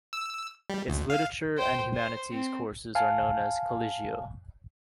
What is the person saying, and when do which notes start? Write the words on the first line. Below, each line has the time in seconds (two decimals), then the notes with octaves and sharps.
Its literature and humanities courses are known as "Collegio".
0.13 E6
0.70 G3
0.89 D2
1.10 F5
1.57 C5 G5
1.94 C5
2.32 C4
2.95 F5 G#5 A5